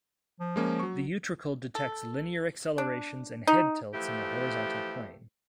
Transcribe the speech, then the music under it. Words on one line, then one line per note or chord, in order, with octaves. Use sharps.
The utricle detects linear accelerations and head-tilts in the horizontal plane.
F3
G#3 A#3 C#4
F#3 C#6
A4
D4
D#4
E3 F3 A3 G4